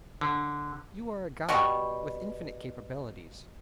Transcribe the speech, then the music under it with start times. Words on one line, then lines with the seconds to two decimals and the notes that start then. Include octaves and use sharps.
You are a god, with infinite capabilities.
0.21 D3
1.49 B2 G3 C#6